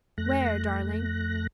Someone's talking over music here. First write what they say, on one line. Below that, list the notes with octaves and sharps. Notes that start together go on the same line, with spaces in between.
"Where, darling?"
F2 A3 F#6 A#6